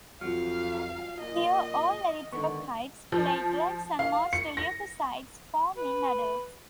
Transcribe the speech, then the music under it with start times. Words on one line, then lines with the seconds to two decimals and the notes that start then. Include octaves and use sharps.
Here all erythrocytes, platelets, and most leukocytes form in adults.
0.21 F2 F#3 F4 F5 F6
1.20 A#2 D#5
2.32 C#2 D3 D#3 B3 C#6
3.12 F3
3.99 F5
4.33 C#7
4.57 A#6
5.77 B4